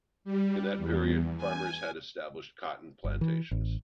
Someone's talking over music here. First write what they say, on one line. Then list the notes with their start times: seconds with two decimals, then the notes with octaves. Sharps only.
In that period, farmers had established cotton plantations.
0.24 G3
0.77 E2
1.37 G#5
3.04 G1
3.21 E3
3.51 A1